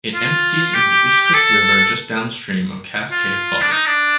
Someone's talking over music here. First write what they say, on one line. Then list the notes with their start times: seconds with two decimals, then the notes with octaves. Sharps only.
It empties into the Iskut River just downstream of Cascade Falls.
0.14 F4
0.74 G4
1.34 A4
3.11 F4
3.61 D4
3.71 D#4
3.86 D4